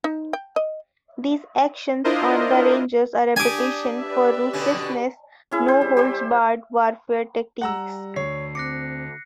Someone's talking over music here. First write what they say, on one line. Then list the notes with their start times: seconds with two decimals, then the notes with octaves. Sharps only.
These actions earned the Rangers a reputation for ruthlessness no holds barred warfare tactics.
0.04 D#4
0.33 G5
0.56 D#5
2.04 D4 E4 F4 A#4 C5 D#5
3.36 D4 G4 G#5 D6 D#6
3.99 G4 B4 D5 E5
4.53 B2 D3 C#4
5.51 C#4 E4 G#4
5.68 C5
5.81 G3
5.97 G4 C5 C6
7.61 G3 F#5 A#5 E6
8.16 D2 D3 C#5 C7
8.55 C4 D6 F#6 A#6 C#7